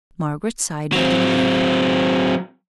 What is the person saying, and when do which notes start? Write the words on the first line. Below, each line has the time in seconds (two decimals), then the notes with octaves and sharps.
Margaret sighed with relief.
0.92 F#3 C4